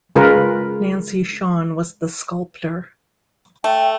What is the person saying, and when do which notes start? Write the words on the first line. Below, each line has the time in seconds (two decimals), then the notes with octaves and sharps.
Nancy Schon was the sculptor.
0.16 C#3 G#3 F4 A#4 B4
3.64 A3 G5